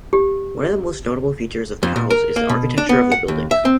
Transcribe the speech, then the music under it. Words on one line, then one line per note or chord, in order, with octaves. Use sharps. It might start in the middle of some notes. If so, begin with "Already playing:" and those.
One of the notable features of Pal's is the architecture of the buildings.
G4
F2
A#2
A#4
A#3
B2
D4
B3
F#5
D#2
E5
C4